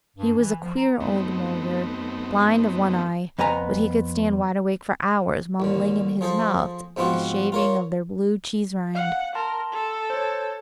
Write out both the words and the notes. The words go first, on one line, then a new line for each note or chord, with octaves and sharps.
He was a queer old Mulgar, blind of one eye, but he could stand wide awake for hours mumbling in his mouth a shaving of their blue cheese-rind.
G2
E3
F3
A#5
F#2 A3 B3 C4 D#4
F2 B3 G#5 A#5
A1 D#2 D3
F3 G#4 A4 C5
G#2 F3 B3 C4 F4 F#4
F4 A#4 C#5
F5 F#5
A#4 A5 C6
A4
C5 C#5